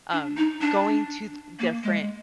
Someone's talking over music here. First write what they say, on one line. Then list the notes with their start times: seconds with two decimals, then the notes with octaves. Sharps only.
um, going to th different
0.12 D4
0.37 D#4
0.61 D4
1.59 A#3
1.83 G#3